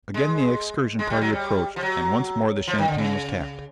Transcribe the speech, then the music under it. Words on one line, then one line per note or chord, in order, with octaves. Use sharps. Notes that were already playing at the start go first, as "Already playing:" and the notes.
Again the excursion party approached, and once more the champagne was tapped.
G#3
G#3
G3
F#3
G3
F3
F#3
F3
D#3
D3
C#3